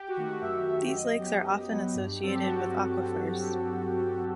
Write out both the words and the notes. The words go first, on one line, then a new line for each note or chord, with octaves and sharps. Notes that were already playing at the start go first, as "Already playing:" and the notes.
These lakes are often associated with aquifers.
Already playing: G4
F#4
D#3 A3
F#4
F#2 E5
D#3 A3 E5
F#2 D#5
F#3 B3 G4
F#2
F#3 B3
G2
F#3 C4 A4
G4
G2 F#4
F#3 C4